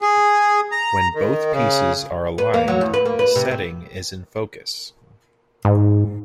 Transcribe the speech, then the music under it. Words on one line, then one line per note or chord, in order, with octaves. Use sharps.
When both pieces are aligned the setting is in focus.
G#4
A#5
D#3
C#3
B4
A#3
F#3
E2
B4
A#3
B4
C3
C4
G#2